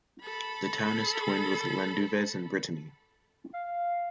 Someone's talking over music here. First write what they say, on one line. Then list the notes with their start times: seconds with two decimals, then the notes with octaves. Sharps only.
The town is twinned with Landunvez in Brittany.
0.23 A4 B5
3.54 F5